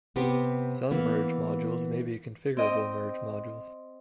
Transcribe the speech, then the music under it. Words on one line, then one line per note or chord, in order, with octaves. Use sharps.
Some merge modules may be configurable merge modules.
C3 B3 C4 G4
E3 A#3 B3
C4 D#5 G5